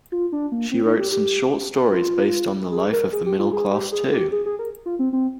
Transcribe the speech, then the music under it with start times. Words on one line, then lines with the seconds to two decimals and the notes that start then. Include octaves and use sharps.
She wrote some short stories based on the life of the middle class too.
0.12 F4
0.32 D4
0.52 A#3
0.72 C4
0.85 D#4
0.99 G4
1.12 G4
1.92 F4
2.72 G#4
2.93 A#4
3.13 G#4
3.26 G4
3.39 F4
3.53 G#4
3.72 G4
3.92 G#4
4.13 G4
4.32 G#4
4.46 G#4
4.59 A#4
4.86 F4
4.99 C4
5.13 C4